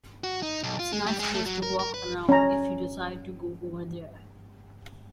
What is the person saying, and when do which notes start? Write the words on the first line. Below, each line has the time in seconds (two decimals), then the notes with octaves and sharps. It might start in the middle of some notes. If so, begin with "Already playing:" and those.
It's a nice place to walk around if you decide to go over there.
0.24 F#4
0.43 D#4
0.63 B1
0.79 F4
0.92 G#3
1.06 G3
1.19 G#3
1.35 A3
1.46 F#3
1.63 A#4
1.79 A#4
1.94 B4
2.29 C#4 A#5